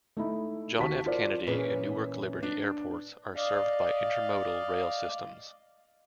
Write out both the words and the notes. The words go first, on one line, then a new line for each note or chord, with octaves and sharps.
John F. Kennedy and Newark Liberty airports are served by intermodal rail systems.
A3 D#4 E4
D#2 F#4 A5 B6
F4 A#4 C5 D5
A#2 E3 C#4 G#4 B4
D4
D5 D#5 F5